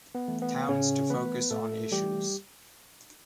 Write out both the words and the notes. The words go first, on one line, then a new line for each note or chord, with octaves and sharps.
Towns to focus on issues.
B3
E3 A3
B3
A2 C#3 C#4
E3 A3 B3 B4
A2 A3 A4
E3 G3 A3 G4